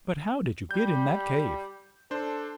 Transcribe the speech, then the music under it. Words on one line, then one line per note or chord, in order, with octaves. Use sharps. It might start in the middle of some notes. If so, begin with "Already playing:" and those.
"But how did you get in that cave?"
G3 G6
D4 A4 C5